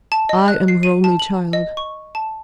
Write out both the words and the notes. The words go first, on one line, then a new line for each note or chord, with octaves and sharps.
I am her only child.
A5
D#5
F#6
C7
D#7
A5
F#7
D#5
C#6
A5